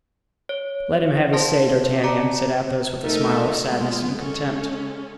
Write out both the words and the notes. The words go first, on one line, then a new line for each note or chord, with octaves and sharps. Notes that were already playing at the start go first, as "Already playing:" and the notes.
"Let him have his say, D'Artagnan," said Athos, with a smile of sadness and contempt.
C#5
A#4 C5 F5 A5 C6 A#6
D5 A5 A#5 D6 C#7
A3 D#4 A4 A#4 E5
G#3 A#3 B3 F4
G#3 C#4 A4